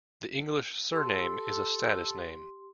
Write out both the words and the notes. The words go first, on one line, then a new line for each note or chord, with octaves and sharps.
The English surname is a status name.
G4 A4 C6